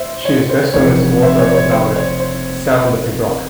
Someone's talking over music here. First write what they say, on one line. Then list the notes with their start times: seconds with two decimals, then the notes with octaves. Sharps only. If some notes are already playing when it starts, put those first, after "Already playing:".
She is best known as the author of the ballad "Sound the Pibroch".
Already playing: C5 E5
0.25 C#5
0.49 C5
0.74 F1 F2 E3 C#5
1.23 C5 E5
1.39 C#5
1.55 C#5
1.71 C5
1.96 C#5
2.20 C5